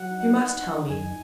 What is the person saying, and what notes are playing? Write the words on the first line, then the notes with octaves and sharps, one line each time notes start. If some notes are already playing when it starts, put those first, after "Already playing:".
You must tell me.
Already playing: F#3 F#5
D#4
D#4
D#4
F#2 G#5